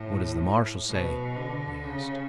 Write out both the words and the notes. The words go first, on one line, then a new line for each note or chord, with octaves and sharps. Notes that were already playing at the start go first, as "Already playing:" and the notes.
"What does the marshal say?" he asked.
Already playing: A2
B2
D3
C#3